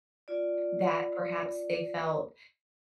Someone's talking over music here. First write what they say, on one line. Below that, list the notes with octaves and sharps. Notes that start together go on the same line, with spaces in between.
that perhaps they felt
F4 D5